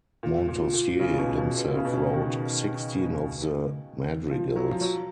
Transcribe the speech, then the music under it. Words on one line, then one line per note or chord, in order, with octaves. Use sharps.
Montausier himself wrote sixteen of the madrigals.
A#2
A#2
A#2
C#3
C#3
B2
B2
B2
C#3
B2
C#3
D#3
F3
F#3
F3
F#3